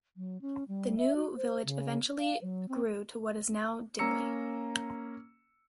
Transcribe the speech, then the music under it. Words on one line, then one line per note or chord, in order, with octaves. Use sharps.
The new village eventually grew to what is now Dingli.
F#3
C#4
G3
E5
F#4
C5
C#3
F5
F#3
C4
A#3 C#4 A#5 E6 C#7